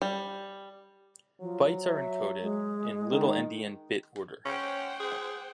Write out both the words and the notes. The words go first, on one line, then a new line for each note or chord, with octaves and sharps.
Bytes are encoded in little-endian bit order.
G3
F3 F#3
E5
G#3
D#3
C#4 C5 F#5 G5
G#4